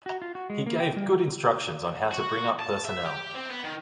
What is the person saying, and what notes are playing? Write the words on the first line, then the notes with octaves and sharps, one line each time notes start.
He gave good instructions on how to bring up personnel.
F#4
F4
F#4
G#3
A#3
G5
G3
F#4
A5
E5
G4
C4
B3
D#3